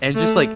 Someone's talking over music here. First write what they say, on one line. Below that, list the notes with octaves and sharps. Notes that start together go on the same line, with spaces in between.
and just, like,
A3